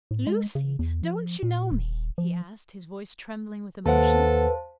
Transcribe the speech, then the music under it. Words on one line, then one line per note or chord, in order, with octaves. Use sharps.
"Lucy! don't you know me?" he asked, his voice trembling with emotion.
A2
G#3
C#3
E2
F3
A#2
D#1
F3
D#2 A4 B4 C5 F5 F#5 A5